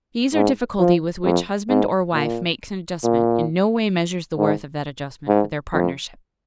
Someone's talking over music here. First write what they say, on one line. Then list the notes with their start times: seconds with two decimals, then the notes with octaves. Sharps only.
The ease or difficulty with which husband or wife makes an adjustment in no way measures the worth of that adjustment for their partnership.
0.34 G#2
0.79 F3
1.24 F2
1.69 G#2
2.13 A#2
3.04 A#2
4.38 G#2
5.28 G#2
5.73 F2